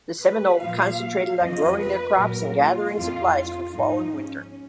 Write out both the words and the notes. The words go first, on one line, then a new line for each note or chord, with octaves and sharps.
The Seminole concentrated on growing their crops and gathering supplies for fall and winter.
B4
A#2 F3 F5
F2 F3 D#5
B4
A#2 F#3 A#4
F4
F2 F3 F4
F4
G#2 F3 D#4
C#4